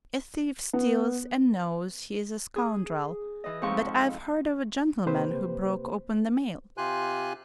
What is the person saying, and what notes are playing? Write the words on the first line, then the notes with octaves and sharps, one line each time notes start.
A thief steals and knows he is a scoundrel, but I've heard of a gentleman who broke open the mail.
B3
G#4
E3 D#5
F2 G#2 F3 C#6
C3 A#3 G4 B4 C5
C3 F4 G4 G#5 C6 F#6